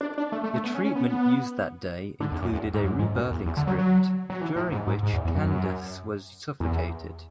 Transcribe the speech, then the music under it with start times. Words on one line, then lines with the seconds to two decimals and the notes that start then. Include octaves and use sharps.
The treatment used that day included a rebirthing script, during which Candace was suffocated.
0.01 D4
0.18 D4
0.32 A3
0.44 A3
0.54 A3
0.64 B3
0.74 C#4
0.84 C#4
0.95 B3
2.20 D3
2.32 E2
2.42 F#2
2.53 E2
2.74 G#2
2.84 F#2
2.99 G#2
3.15 F#2
3.31 E2
3.46 E2
3.57 D3
3.67 F#3
3.78 F#3
4.30 F#3
4.41 E3
4.56 A2
4.72 G#2
4.87 G#2
5.03 G#2
5.13 E2
5.25 E2
5.35 F#2
6.60 E2